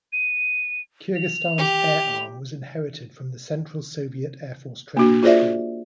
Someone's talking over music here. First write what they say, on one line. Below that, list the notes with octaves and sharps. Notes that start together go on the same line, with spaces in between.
Kyrgyzstan's air arm was inherited from the central Soviet air force training school.
D#7
F7
G4
A#3 D4 F#4
F4 G#4 C5 D5 E5